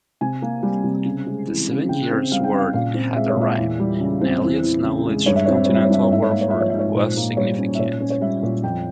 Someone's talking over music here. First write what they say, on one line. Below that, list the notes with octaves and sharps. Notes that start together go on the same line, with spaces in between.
The Seven Years' War had arrived, and Elliott's knowledge of continental warfare was significant.
C3 G#5
A#3
G3
C3
C#3
G#3
E3
C#3
C#3 G5
C4
G3 F5
G5
C#3 F5
A#2 F5
C4
G#3 E5
C#5
A#2 E5
E2
G3
C#3
C4
E2
E3
C#3
G#3
G2 C#5
E5
C4 C#5
E5
G3 C#5
E5
C#5
G2 E5
C#5
G#2 E5
C#5
A#3 E5
C#5
F3 E5
C#5
G#2 E5
C#5
A#2 C5
A#3
G3 C#5
C#4
E5
A#2 C#5
C#4
C#5
G3 E5
A#2
F2 G5